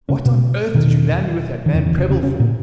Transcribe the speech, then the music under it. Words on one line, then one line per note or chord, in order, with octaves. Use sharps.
'What on earth did you land me with that man Prebble for?'
C#3 C#4
B2 B3
E2 B2 D#3
D#3
E2 C#3 E3
E3
C#3 C#4
C#3 C#4
C#3 C#4
A#2 A#3